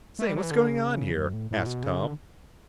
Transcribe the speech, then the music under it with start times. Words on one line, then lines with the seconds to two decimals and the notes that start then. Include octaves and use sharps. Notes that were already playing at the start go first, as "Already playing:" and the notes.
"Say--what's going on here?" asked Tom.
0.19 A3
0.27 G3
0.35 F#3
0.43 E3
0.51 D3
0.68 C#3
1.12 E2
1.17 F#2
1.33 A2
1.51 A2
1.67 B2
1.84 C#3
2.00 D3